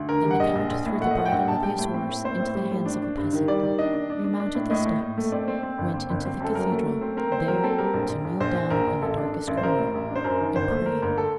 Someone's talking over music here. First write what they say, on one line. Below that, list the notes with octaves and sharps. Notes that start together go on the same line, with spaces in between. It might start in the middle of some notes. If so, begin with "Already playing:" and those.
Then the count threw the bridle of his horse into the hands of a peasant, remounted the steps, went into the cathedral, there to kneel down in the darkest corner and pray.
Already playing: D2
D3 A#4
G3
F#5
A#1 D#5
A#1
A#1
A2
A3 F#5
D#5
A2 F#5
G5
A#1 F#5
A#1 A5
G3 G5
A2
C4
A2
C4 C5
A2
G3
A2
D4
D4
G2
D#3
G3 D5
D#3
D4 D#5
D4
D4
D4
D4
A2
A2 D#5
A2
A2
A3
C4 D5
C4
C4
G1
C4
G1
C4
F#2 A4
F#3 A#4
A3
A3
C4
C4 A#4
C4 C5
F#3 A#4
C4 A4
G3 A#4
A#1
A#1
A#1
A#1 C5
A#1
A#1 A#4
A#1
A1 A4
D4
D4
A1
C5
A1 A#4
A2
A1
D4
C5
F#2 A#4
D#3
G1 C5
A3
A3 A#4
G1 A#4
A4